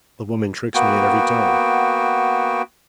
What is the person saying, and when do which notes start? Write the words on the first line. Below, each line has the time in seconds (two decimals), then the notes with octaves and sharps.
The woman tricks me at every turn!
0.74 A#3 B3 F#4 G5